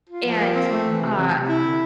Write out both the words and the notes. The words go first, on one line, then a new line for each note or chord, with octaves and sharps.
And, uh,
F4
F3
A#3
C4
A3
E3
C3
C3
C3
E4
D3